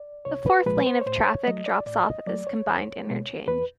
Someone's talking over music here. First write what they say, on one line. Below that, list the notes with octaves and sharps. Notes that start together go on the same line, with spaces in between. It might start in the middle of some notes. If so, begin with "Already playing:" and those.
The fourth lane of traffic drops off at this combined interchange.
Already playing: D5
C2 C#5
B4
A#2 F3 G#3 B4
C5
C#5
A2 C5
C#5
F#3 A3 D#5
D5
A2 D5
D#5
F#3 A3 D5
C#5
E2
B2 G#3
E2 B4